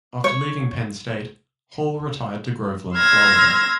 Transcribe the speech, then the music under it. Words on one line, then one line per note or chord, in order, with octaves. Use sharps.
After leaving Penn State, Hall retired to Groveland, Florida.
C#5
C6 E6 F6 G#6 A#6